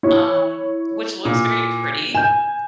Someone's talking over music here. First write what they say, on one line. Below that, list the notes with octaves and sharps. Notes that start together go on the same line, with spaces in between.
um, which looks very pretty
E4 C#5
A#2
G#5 G6 E7